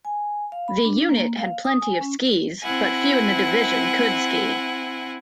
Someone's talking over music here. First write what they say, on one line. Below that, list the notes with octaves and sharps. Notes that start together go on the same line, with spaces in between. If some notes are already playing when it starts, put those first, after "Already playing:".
The unit had plenty of skis but few in the division could ski.
G#5
F5
B5
D4
A#3
F5
D#6
G#5
C#4
C4 E4 F#5 G#5